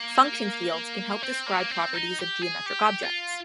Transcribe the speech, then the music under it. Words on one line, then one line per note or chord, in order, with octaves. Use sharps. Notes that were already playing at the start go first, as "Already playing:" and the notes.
Function fields can help describe properties of geometric objects.
Already playing: A#3
C4
A#3
C4
D#4
G4
G#4
G4
F4